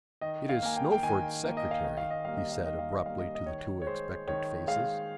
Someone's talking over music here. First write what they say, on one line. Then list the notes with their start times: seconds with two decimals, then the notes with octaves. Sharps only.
"It is Snowford's secretary," he said abruptly to the two expectant faces.
0.21 D#3 D#5
0.49 F5
0.63 A#3 G#5
0.76 G5
0.92 G5
1.03 D#3 G#5
1.44 A#3
1.57 D#5
1.71 F5
1.84 D#3 D#5
1.97 F5
2.10 D#5
2.25 G3 A#3 F5
2.37 D#5
2.52 F5
2.65 D#3 D#5
2.79 F5
2.92 D#5
3.06 G3 A#3 F5
3.19 D#5
3.35 D#5
3.46 D#3 C#5
3.82 C#5
3.86 G#3 C5
4.27 D#3 C#5
4.67 G#3 F5